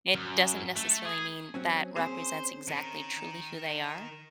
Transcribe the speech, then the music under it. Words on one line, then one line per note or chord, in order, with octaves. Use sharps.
It doesn't necessarily mean that represents exactly truly who they are
F#2
A3
G#4
F#3 C4 C#4
C4 C#4 G#4 C5
D#3